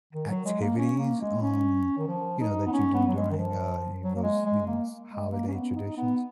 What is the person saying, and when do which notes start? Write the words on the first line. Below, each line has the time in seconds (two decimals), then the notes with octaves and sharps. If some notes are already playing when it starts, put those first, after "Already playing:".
activities, um, you know, that you do during, uh, any of those, you know, holiday traditions?
0.13 D#3
0.29 F#3
0.45 G#3
0.61 A#3
0.77 C#4
0.98 A#3
1.21 G#3
1.42 C#4
1.97 D#3
2.07 F3
2.40 D#4
2.66 B3
2.72 C#4
2.94 B3
3.07 F#3
3.16 G#3
3.30 D#3
3.37 F3
4.02 F#3
4.16 A#3
4.23 G#3
4.45 G#3
4.67 A#3
5.10 G#3
5.31 A#3
5.48 C#4
5.53 B3
5.75 D#4
5.97 B3